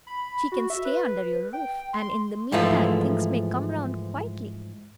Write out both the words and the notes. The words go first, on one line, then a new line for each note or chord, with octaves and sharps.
She can stay under your roof, and in the mean time things may come round quietly.
B5
F#4
E5
B4
G5
C6
G#2 E3 F3 G#3 A3